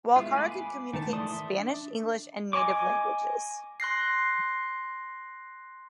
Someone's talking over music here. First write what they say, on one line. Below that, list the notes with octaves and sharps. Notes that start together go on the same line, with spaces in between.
Walkara could communicate in Spanish, English, and native languages.
G#3 A3 B3 E4 F4
G#5 B5 C6 D6
D#3 A3 A5
E3 D5 A5 C6 D#6
E5
D4
D#5 G#5 C#6 D6
C6 F#6 A#6 C7